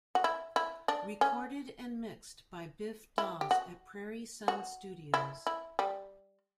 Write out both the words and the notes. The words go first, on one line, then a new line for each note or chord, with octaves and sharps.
Recorded and mixed by Biff Dawes at Prairie Sun Studios.
F#4
E4
E4
D4
C#4
E4
G4
F#4
F#4
E4
E4
G3